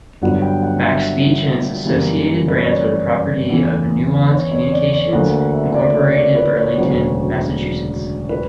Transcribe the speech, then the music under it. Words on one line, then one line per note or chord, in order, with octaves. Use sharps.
MacSpeech and its associated brands are the property of Nuance Communications, Incorporated Burlington, Massachusetts.
G1 G2 F#3 B3 F#5
G5
F#5
E5
F#2 E3 G3 A#3
B4
C#5
D5
E2 C#3 E3 B3
C#5
C#5
D5
C#5
D2 D3 A#3 F#5
F#5
E5
D5
C#5
D5
B4
C#5
E1 D2 C#3 F#3 B3
B4